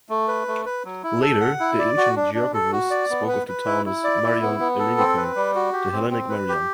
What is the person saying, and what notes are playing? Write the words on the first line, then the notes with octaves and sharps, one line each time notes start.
Later, the ancient geographers spoke of the town as "Marion Ellinikon"-The Hellenic Marion.
A3
B4
A3
B4
F#3
E4
A4
F#5
E4
D5
F#4
D4
D4
A4
F#4
D5
B3
B4
B4
E4
E4
D5
E4
B3
B3
A4
C4
B4
G3
F#4
G4
C4
C4
B4
G4